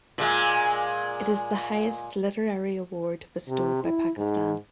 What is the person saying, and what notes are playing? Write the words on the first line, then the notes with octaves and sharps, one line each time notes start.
It is the highest literary award bestowed by Pakistan.
A#2 G#3
C3
E4
G#2